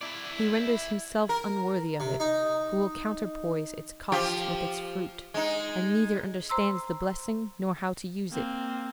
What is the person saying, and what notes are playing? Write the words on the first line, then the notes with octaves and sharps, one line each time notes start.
He renders himself unworthy of it who will counterpoise its cost with its fruit, and neither understands the blessing nor how to use it.
E4 D5
A#4
C3
D#4
F3 F4 G4
G#3 D#4
C5 A#5 C6 E6
A#3 C4